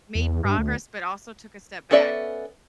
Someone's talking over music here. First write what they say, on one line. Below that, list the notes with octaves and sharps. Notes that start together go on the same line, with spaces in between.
made progress, but also took a step back.
E2
G2
D2
B3 C#4 A4 D5 E5